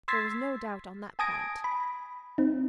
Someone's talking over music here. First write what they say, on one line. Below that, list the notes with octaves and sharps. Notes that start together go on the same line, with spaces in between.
There was no doubt on that point.
C6 E6 G#6 A6 B6 C7
G#5 A5 D#6 G#6 A#6 D7
B5
C4 D#4